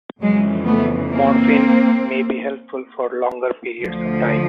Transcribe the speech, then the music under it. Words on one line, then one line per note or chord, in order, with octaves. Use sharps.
Morphine may be helpful for longer periods of time.
F2 C#3 E3 F#3 G#3
A3 B3
A#3 C4
D2 D3 F3